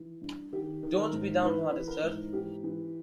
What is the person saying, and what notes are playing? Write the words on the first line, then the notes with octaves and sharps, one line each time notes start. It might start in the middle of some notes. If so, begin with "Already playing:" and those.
Don't be down-hearted, sir.
Already playing: E3
G2
D#3 G4
D#3
A#4
G#2
E3 B4
E3
A#4
G#2
E3 G4
E3